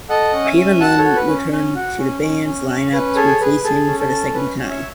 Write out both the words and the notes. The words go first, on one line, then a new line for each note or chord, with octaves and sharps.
Peter Nunn returned to the band's line-up to replace him for the second time.
A4 D#5 F#5
C#4
E5 G#5
C#4
F#4 F#5 A5
A4 C#5
F#4
B4
C#4
C#4
F#4
C#4
C#4
C#4
C#4
C#4 B4
G#4 A4 C#5
G#4 B4
G#4 A4
C#4
A4
C#4
C#4 B4
C#4
C#5 E5